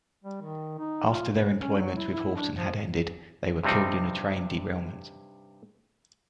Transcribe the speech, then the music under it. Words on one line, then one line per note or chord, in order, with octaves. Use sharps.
After their employment with Horton had ended, they were killed in a train derailment.
G3
D#3
D#4
F4
B4
C#4
F#3
E4
E4
D4
F3
G2 C3 G3 C4 D#4